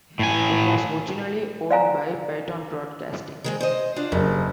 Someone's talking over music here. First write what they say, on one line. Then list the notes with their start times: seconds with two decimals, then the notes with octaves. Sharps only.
It was originally owned by Peyton Broadcasting.
0.19 A2 G#5
1.71 D5 F5 G#5 A#5
3.44 D#3 G#3 C4
3.61 C5 D#5
3.96 D4 F4 F#4
4.12 F#1 G2